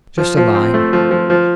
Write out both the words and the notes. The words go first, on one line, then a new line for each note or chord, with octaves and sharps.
Just a line.
F3
F3
C4
A3
F3
F3
F3